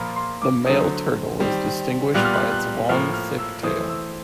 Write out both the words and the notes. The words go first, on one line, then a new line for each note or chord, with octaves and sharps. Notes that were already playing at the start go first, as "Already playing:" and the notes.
The male turtle is distinguished by its long, thick tail.
Already playing: A#2 F3 A#3 B5
C6
D6
D3 F#3 A3 C4 D#6
D#3 G3 C4
A#2 G3 B3 F#6
F6
F#6
F#6
A2 F3 A#3 F6
F6
E6
E3 A3 C4 D#6
E6